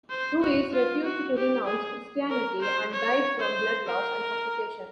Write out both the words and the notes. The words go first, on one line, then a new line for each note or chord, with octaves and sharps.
Ruiz refused to renounce Christianity and died from blood loss and suffocation.
C5
F#4
F4
F#4
G4
G#4
A#4
C5
C#5
C5
A#4